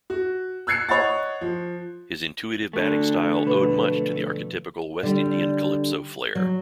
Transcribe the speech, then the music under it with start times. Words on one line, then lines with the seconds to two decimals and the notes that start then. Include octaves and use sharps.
His intuitive batting style owed much to the archetypical West Indian calypso flair.
0.10 F#4
0.67 E6 F#6 G#6 C7 C#7
0.89 C#5 D#5 F#5 A6
1.41 F3
2.73 D3 A3
3.44 B1 F2 B4
5.03 D3 G3
6.35 F#3